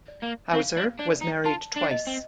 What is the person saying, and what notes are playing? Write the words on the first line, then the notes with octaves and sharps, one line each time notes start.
Hauser was married twice.
D5
A#3
C4 F5
D4
D4 D5
D#4
F4 A5
D4
D#5
C4